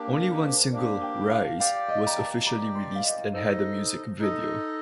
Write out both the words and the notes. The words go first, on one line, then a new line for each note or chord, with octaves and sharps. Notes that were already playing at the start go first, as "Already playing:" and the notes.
Only one single, "Rise", was officially released and had a music video.
Already playing: A#3 D4 G4 A#4
A#4
C5
A#3 D4 G4 D5
G5
F5
G4 D5 F5 G5
D#5
A#5
A5
G4 D5 G5 A#5
C6
F5
D#5
D#4 A4 C5 D#5
D#4 A4 D#5